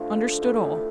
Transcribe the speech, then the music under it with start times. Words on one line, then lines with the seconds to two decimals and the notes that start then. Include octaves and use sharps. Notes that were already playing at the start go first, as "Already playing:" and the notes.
Understood all.
Already playing: D3 F3 A3 F4
0.42 F3 A3 E4 G4